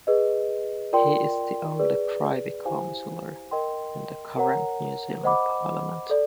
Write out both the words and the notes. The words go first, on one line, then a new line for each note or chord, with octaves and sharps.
He is the only Privy Councillor in the current New Zealand parliament.
G#4 B4 D#5
F4 A#4 D5 G5 C6
G#4 B4 D5
E4 G4 C5 F5 G#5
A#4 D#5 G5 C6
A#4 C#5 F#5 A#5
C5 D#5 F#5 B5 D6
A4 D5